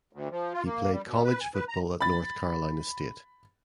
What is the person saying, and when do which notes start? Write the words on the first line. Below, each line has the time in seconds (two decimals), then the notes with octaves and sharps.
He played college football at North Carolina State.
0.13 D2
0.31 F3
0.54 F4
0.65 A#3
0.92 G3
1.07 B2
1.25 B4
1.41 G#5
1.54 B4
1.68 A#5
2.01 B5 A6